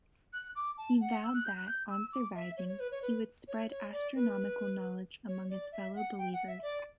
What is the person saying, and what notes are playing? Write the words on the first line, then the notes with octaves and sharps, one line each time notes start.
He vowed that, on surviving, he would spread astronomical knowledge among his fellow believers.
F#6
D6
A5
F#5
E6
F#6
G6
F#6
G6
E6
D6
E5
C#5
C#5
B4
C#5
B4
C#5
C#5
D5
B4
C#5
D5
E5
F#5
G5
F#5
E5
D5